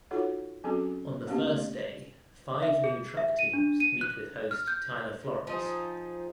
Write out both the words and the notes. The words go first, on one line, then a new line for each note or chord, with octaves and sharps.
On the first day five new truck teams meet with host Tyler Florence.
D#4 F4 F#4 A4 C#5 F#5
F#3 C4 C#4 F#4 G#4 A4
A#3 B3 C#4 D4 G4 F5
A3
E5
G#4
E5
D#7
D4
D#7
F#6
F6
G6
F3 D#4 G#4